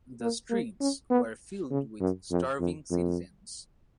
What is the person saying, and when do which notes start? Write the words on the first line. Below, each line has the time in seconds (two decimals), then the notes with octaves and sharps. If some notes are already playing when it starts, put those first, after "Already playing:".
The streets were filled with starving citizens.
0.21 A#3
0.50 A#3
0.80 C#4
1.10 B3
1.71 C#3
2.01 F#2
2.31 F2
2.60 F2
2.91 F2